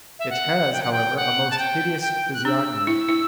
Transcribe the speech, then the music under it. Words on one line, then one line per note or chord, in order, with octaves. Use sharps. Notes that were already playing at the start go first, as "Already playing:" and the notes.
It has, however, a most hideous physiognomy.
E5
F#5
G5
F#5
G5
F#5
A5
G5
G5
F#6
D4 E6
E4
E4